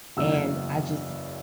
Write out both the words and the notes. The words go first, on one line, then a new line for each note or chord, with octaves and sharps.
and I just
F#1 E2 C#3 F#3 E6